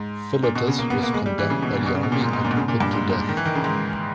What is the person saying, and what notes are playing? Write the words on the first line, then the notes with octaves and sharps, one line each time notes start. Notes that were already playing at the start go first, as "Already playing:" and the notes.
Philotas was condemned by the army and put to death.
Already playing: G#2
A#2
B2
C#3
A#3
B3
A#3
G#3
G3
E3
C#3
B2
A#2
B2
C#3
B2
A#2
G#2
G#2
A#2
B2
C#3
A#2
G2
G#2
G#2
D#3
E3
D#3
C#3
G#2